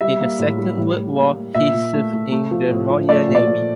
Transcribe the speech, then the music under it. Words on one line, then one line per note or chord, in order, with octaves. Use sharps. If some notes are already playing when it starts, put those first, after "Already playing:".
In the Second World War he served in the Royal Navy.
G3 E5
A#3
A2
G3
A2
A2
A#3
A#3
A#2 E5
A#2
A3
A3
A3
F3
A2
F3
A3 D5
A#2
D5
A#2